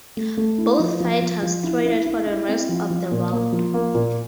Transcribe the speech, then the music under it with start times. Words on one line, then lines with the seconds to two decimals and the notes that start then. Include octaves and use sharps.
Both fighters traded for the rest of the round.
0.17 A3
0.37 A3
0.58 E4
0.79 F3
1.00 F3
1.22 F3
1.43 F3
1.64 E4
1.85 E4
2.06 E4
2.27 E4
2.48 C4
2.69 F3
2.90 F3
3.11 A#2
3.33 A#3
3.53 F3
3.74 A#3
3.95 A#2